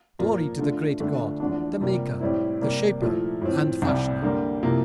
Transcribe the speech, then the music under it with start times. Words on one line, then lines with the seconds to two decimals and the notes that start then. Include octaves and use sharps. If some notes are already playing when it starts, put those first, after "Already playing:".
Glory to the Great God, the Maker, the Shaper and Fashioner!
0.19 A#2 F3 A#3 F4
0.59 D3 A3 D4 F4
1.00 D2 D3 A3 D4 F4
1.40 E2 D3 F3 A3 D4
1.81 C3 G3 A#3 F4
2.20 A2 G3 C4 E4
2.61 C3 G3 A#3
3.02 A#2 F3 A3 E4
3.41 A2 F3 C4
3.82 C2 C3 G3
4.22 D3 G3 A#3
4.63 C3 F3 A#3 E4